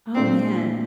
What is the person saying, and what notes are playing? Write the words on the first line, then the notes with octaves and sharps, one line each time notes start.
Oh, man.
A#2 A3 C4 D4 F4